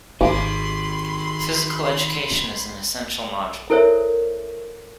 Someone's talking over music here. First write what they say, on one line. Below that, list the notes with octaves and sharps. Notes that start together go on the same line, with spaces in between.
Physical Education is an essential module.
G#1 D#3 G#3 B5 C6 D6
E4 A4 A#4 C5 C#5 E5